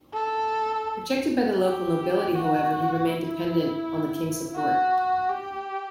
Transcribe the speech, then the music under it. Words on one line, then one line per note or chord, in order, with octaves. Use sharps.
Rejected by the local nobility, however, he remained dependent on the king's support.
A4
G4
F#4
E4
F#4
G4